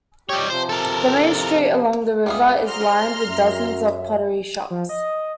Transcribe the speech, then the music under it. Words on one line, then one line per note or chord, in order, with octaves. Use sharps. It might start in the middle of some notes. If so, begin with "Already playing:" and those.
The main street along the river is lined with dozens of pottery shops.
G3 G4 C#5 D#5 G5
C3 F3 C5
A4 A#4
C#2 G3 B3 F4 G#4 E5
C5 A#5 C6 F6
F#2 E5
F3
D#5